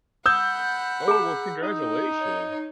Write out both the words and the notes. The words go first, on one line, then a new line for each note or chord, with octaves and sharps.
Oh, well, congratulations!
F#5 B5 D#6 E6 G6
G#4 A#5
D#4
C#5